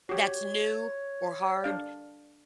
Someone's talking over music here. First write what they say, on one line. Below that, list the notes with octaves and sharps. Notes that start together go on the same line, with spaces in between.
"that's new or hard,
F#4 G4 C#5
D4 F5